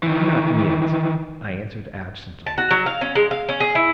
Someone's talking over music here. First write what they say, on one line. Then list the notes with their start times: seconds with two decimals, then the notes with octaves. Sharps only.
"Not yet," I answered absently.
0.03 D#3 E3
2.46 A5
2.58 F#4
2.71 F#3
2.86 F5
3.01 C#4
3.15 G#3
3.31 F5
3.49 C#4
3.60 G#4
3.75 E4